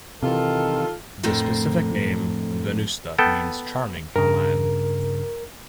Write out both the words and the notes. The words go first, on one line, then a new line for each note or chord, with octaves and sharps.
The specific name, "venusta", means "charming" in Latin.
C3 D#3 E3 F4 A4
F2 A2 D3 A#4 C5
B3 A4 G5
G2 C#3 A#4